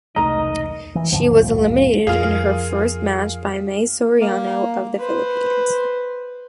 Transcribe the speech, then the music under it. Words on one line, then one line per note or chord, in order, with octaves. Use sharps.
She was eliminated in her first match by Mae Soriano of the Philippines.
E1 C2 A3 D#4 A#4 D#5 A#5
E3
D#2 G#2 D3 F3
A1 D2 G2 A#2
F2 F4 G#4 A#4 F5
A#3
B4 C5